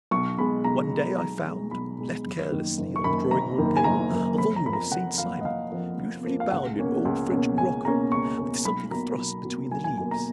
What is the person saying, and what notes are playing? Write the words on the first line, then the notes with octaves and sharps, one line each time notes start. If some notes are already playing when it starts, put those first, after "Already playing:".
One day I found, left carelessly on the drawing-room table, a volume of Saint-Simon, beautifully bound in old French morocco, with something thrust between the leaves.
B1 C#6
B2 G#3 B5
B1 A#5
B2 G#3
B1 A#5
B2 G#3
B1 B5
B2 G#3
F#1
F#2 D#3 A#3
F#1
C#6
F#2 D#3 A#3 B5
F#1 A#5
F#2 D#3 A#3
G#5
F#1 A#5
F#2 D#3 A#3
F1 B5
A#5
F2 F3 A#3 B5
A#5
F1 F#5
F2 F3 A#3 F5
D#5
F1 F5
F2 F3 A#3 D#5
F1
F2 F3 A#3
F5
C#2 F#5
B2 A#3 C#4
C#2
B2 A#3 C#4
C#2 G#5
B2 A#3 C#4 A#5
C#2 C#6
B2 A#3 C#4
B1 B5
B2 F#3 A#3 A#5
B1
B2 F#3 A#3
B1 G#5
G#5
B2 F#3 A#3 G#5
A#5